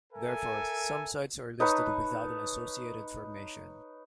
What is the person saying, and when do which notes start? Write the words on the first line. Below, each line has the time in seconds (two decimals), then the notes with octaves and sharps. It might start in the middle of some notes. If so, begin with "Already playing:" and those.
Therefore, some sites are listed without an associated formation.
0.12 A4 A#4 E5 G#5
1.60 D#4 B4 C#5 A5